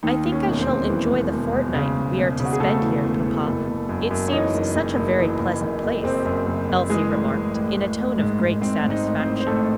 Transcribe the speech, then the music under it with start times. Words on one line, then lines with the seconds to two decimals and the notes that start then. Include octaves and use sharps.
"I think I shall enjoy the fortnight we are to spend here, papa; it seems such a very pleasant place," Elsie remarked, in a tone of great satisfaction.
0.03 D#2 D#3 D#4
0.25 D#2
0.32 C#4
0.46 E1
0.61 C4
0.67 E1
0.89 E3
1.10 E1
1.32 E1
1.53 E1
1.74 C#3
1.97 E1
2.18 E1
2.40 C#3
2.45 F#4
2.53 G#4
2.60 C#3 A3 A4
2.82 E3
3.04 E1
3.25 E3
3.47 F#1
3.69 F#1
3.89 F#2
4.11 F#2
4.28 C#5
4.32 E3 D#4 D#5
4.54 F#1
4.75 F#1
4.97 F#1
5.19 E3
5.39 F#1
5.61 F#1
5.83 F#1
6.04 F#1 C4 C5
6.25 F#2
6.47 F#1
6.69 F#1
6.90 E3 G#3 G#4
7.11 A1
7.34 A1
7.55 A1
7.76 A1
7.98 A1
8.18 G#2
8.40 G#2
8.61 G#2 C4 C5
8.83 G#2
8.90 D#4 D#5
9.05 A1
9.19 C4 C5
9.26 A1
9.40 C5
9.47 A1 A3 A4